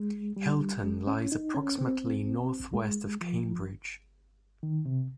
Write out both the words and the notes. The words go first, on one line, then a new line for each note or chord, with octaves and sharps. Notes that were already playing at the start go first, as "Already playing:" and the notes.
Hilton lies approximately north-west of Cambridge.
Already playing: G#3
G3
G#3
C#4
D#4
C#4
C4
G#3
F3
D#3
C3